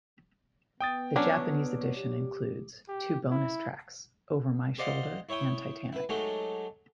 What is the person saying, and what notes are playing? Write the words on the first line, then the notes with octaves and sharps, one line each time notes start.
The Japanese edition includes two bonus tracks: "Over My Shoulder" and "Titanic".
B3 G5 D#6 A6
F#3 C#4 D4 D6
G4
G4
E4
G4 C5 D5 D#5 F5 F#5
E4 C#5 E5 G5 D#6
E4 B4
F#3 G#3 A3 D#4 G4